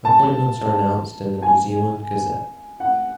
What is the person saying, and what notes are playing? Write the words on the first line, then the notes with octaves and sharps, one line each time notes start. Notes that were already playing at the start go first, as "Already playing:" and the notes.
Appointments are announced in the New Zealand Gazette.
A5
G#5
F#5